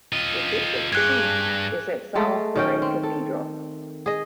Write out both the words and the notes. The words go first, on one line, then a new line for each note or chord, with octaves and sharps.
The bishop's seat is at Salisbury Cathedral.
F4 D#5
G2 G#4 F#6 G#6
G#3 A3 A4
D#3 C#4 G5
C4
A4
G#4 D#5